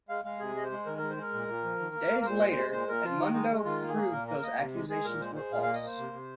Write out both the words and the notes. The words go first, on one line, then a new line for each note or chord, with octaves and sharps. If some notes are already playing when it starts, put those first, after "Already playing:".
Days later, Edmundo proved those accusations were false.
G#3 F5
G#3 F5
C3 G#4
G#3 D#5
C5
G#3
D#3 A#4
G#3 A#4
C5
G#3 A#4
A#2
A#2
F3
D#3
A#3
A#3
A#4
A#2 C5
G#3
C5
G#3
A#2 C5
A#2 A#4
F3 F4
D#3 D#4
G#3 D#4
G#3
D#3 F4
A#3
G#4
A#3
A#2 A#4
A#3 A#4
A#3 D#5
C3
G#3
G#3 G#4
A#2 A#4
G#3 C5
G#3 C5
A#2 F5
A#3 F5
D#5
A#3 C5
C3
C3